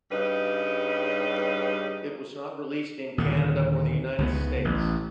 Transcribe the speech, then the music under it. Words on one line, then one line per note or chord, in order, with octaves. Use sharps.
It was not released in Canada or the United States.
G2 C#3 G3 D#4 B4
D#2 A#2 D3
C#2 C#3 B3
A1